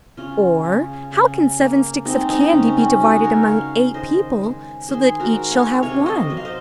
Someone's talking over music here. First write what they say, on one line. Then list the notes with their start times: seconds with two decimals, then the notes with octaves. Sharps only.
Or, how can seven sticks of candy be divided among eight people so that each shall have one?
0.17 C#3 C#4 F4
0.65 C#3
1.12 C#3
1.59 A#3
2.05 G#3 C4 D#4
2.29 C4 D#4
2.53 C#3 C#4
2.68 C4
2.77 C#4
3.00 G#3 D#4 F#4
3.24 A#4 C#5
3.47 C#3 C#5 F5
3.94 D#3 C5 D#5
4.42 G#3
4.88 D#3 G#4 C5
5.20 F#4 A#4
5.35 G#3
5.51 C#5 F5
5.82 C3 C#5 F5
6.06 C5 D#5
6.30 F#3 D#5
6.37 F5
6.45 C5 D#5